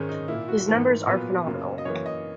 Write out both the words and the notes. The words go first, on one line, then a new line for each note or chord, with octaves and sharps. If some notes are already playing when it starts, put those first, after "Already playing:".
His numbers are phenomenal.
Already playing: G#2 D#3 G#3 C#4
D#4
A#2 A#3 E4
F#4
G#2 E3 A#3 A#4
A#4
A#2 F#3 B3 B4
F#2 C#3 F#3 A#3
D#5
F#2 E3 A#3 C#5
D#5